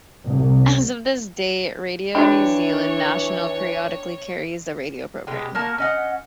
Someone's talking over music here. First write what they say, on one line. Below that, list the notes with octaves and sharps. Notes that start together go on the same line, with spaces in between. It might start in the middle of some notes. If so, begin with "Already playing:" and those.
As of this date, Radio New Zealand National periodically carries the radio program.
C2
E3 D4 F#4 C#5 D5 G5 B5
B2 G#3 G4
A#3 F#4 A#4 A5
C#4 D#5 F#5